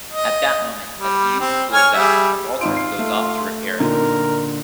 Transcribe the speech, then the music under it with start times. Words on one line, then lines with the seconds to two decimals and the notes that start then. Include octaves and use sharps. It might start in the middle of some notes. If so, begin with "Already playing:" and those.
At that moment, a fuse blows out, and Walter goes off to repair it.
0.11 D#5
0.98 G3
1.40 C4
1.73 C#5 G#5 F6
1.94 G3 G#4 E5
2.61 G#1 D#4 F4 D7
2.77 C7
2.99 A3
3.80 A#2 D3 D#4 A#4